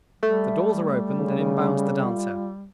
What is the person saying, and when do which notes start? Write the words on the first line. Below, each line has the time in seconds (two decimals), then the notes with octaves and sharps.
The doors are opened and in bounds the dancer.
0.23 G3 A3
1.18 C#3
2.05 F4